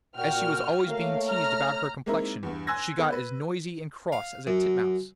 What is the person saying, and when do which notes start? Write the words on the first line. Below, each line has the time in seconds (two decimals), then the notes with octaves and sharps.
As she was always being teased about her complexion, she got as noisy and cross as a titmouse.
0.16 A#2 F#4 G5 F6
0.88 A3 A#3 C#5 F5
1.29 A#5 F6
2.06 G#3 A#3 C4 D#4 E4 A#4
2.43 E2 G2
2.67 G#5 C6 E6 F#6 G#6 A#6
2.98 B3 A4
3.12 B4
4.12 F5
4.47 F#2